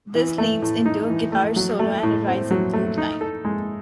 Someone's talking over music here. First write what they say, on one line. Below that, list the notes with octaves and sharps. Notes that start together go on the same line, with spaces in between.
This leads into a guitar solo and a rising flute line.
E3
A3
A2
D#4
E3
A3
F#3
A3
A2
C4
F#3
A3
D#4
A4
G#3